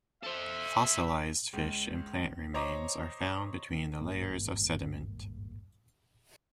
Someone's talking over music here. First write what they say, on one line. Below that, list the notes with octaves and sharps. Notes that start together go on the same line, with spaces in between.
Fossilised fish and plant remains are found between the layers of sediment.
A4 C5 E5
C#2
C5 C#5 D#5 A#5 C#6 D6
D#1 G#1 G2 A#3